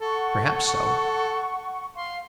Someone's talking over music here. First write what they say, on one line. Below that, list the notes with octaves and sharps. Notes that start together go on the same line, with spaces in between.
Perhaps so.
A4 F#5 C#6
F5 C6